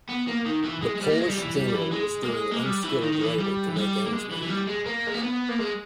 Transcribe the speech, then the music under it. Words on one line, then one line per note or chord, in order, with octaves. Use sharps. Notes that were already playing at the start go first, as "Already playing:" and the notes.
The Polish general was doing unskilled labor to make ends meet.
B3
A#3
D#3
E3
G#3
G#3
G3
A#3
G#3
G3
E3
G3
G3
E3
G#3
A#3
G#3
A#3
G#3
G3
E3
D#3
D#3
E3
G3
E3
G3
A#3
G#3
E3
E3
G3
G#3
A#3
G#3
A#3
B3
A#3
G#3